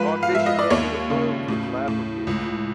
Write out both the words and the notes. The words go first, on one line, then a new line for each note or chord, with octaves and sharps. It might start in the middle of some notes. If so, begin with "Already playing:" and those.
au auditioned over the phone for the laugher gig,
Already playing: G#2 F3 B4
F5
F3 E5
D#5
D5
D#2 C#5
C#3
A2
A2
C#2